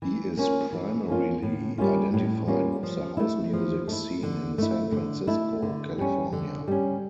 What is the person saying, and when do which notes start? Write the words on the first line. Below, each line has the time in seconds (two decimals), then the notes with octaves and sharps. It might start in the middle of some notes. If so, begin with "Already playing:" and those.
He is primarily identified with the house music scene in San Francisco, California.
0.02 E3
0.37 A#3 C#4 F4
0.72 E3
1.08 A#3 C#4 F4
1.42 A2
1.78 G3 A#3 C#4 F4
2.13 A2
2.47 G3 A#3 C#4 F4
2.83 F3
3.17 A3 E4
3.53 F3
3.88 A3 E4
4.23 D3
4.58 A3 E4
4.92 D3
5.27 A3 E4
5.62 D3
5.98 G3 C#4
6.33 D3
6.68 G3 C#4